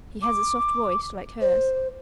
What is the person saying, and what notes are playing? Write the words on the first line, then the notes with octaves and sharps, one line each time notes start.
He has a soft voice, like hers.
D6
C5